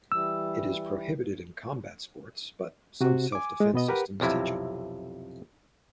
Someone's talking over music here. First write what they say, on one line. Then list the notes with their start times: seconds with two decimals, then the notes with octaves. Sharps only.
It is prohibited in combat sports, but some self-defense systems teach it.
0.12 E3 G3 E6
3.01 C3 F#4
3.32 G#5 D6
3.60 G#3
3.74 B2 B3 D#5
3.88 G4 A#4 B4 F#5
4.20 B1 F2 C3 E4